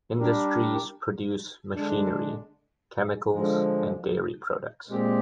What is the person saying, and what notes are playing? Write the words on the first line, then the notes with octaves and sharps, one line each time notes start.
Industries produce machinery, chemicals and dairy products.
G3 D4 G4 A#4
D3 G#3 D4
D3 F3 G#3
A#2 G#3 C4 G4